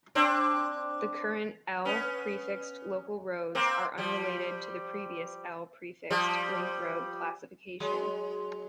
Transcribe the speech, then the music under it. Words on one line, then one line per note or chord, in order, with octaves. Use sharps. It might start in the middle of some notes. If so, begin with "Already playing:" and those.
The current "L"-prefixed local roads are unrelated to the previous "L"-prefixed link road classification.
C4 D4
B3 C#4
A#3 C4
F3 G3
F3 G3
F#3 G#3